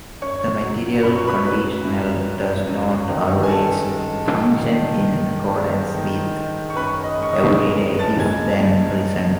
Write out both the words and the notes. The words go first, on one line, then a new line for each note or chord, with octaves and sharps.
The material conditional does not always function in accordance with everyday if-then reasoning.
F#2 C#5 C#6
F#3
F#2 B5
C#6
B4 B5
F#3 B4 B5
F#2
F#2
F#2
D#3
G#5
G#3 A4 A5
G#3
D#3
D#3
D#3
G#2
D#3
G#3
C#6
F#2 B4 B5
D#5 D#6
G#3
C#6
D#5 D#6
F#2
F#2 A5 A6
G#5 G#6
G#3
F#2